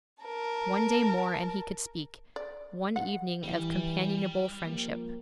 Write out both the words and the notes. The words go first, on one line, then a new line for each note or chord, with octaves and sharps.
One day more and he could speak--one evening of companionable friendship.
A#4 A5
D5
F#5
E3 G3
F3 A#3